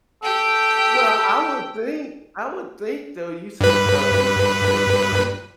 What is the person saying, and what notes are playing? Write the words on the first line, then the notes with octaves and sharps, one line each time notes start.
Well, I would think, I would think, though, you said, um, you said, um
G4 A4 G5
G2 B4